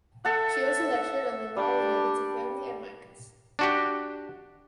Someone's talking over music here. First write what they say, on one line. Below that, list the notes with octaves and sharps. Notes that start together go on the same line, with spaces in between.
She also lectured on the law relating to the family and minors.
A4 E5 F#5
G3 D4 G4
D4 F#4 G4